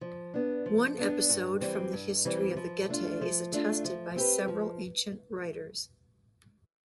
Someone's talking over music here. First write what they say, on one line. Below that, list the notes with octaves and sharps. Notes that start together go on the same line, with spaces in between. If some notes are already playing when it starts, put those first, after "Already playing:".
One episode from the history of the Getae is attested by several ancient writers.
F3
B3 D4
F3
B3 D4
G2
E3 G3 C4
G2
E3 G3 C4
F3
A3 D4 F4
F3
A3 D4 F4
F3
C4 G4 B4
F3